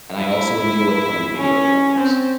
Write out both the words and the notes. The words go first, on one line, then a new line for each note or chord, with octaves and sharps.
and I also enjoy playing video games,
E4
C#4
C4